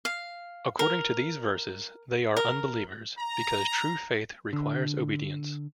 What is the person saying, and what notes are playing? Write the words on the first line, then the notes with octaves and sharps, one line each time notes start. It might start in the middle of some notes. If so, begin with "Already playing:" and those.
According to these verses, they are unbelievers; because true faith requires obedience.
F5
A#4
A#4
A#5
D3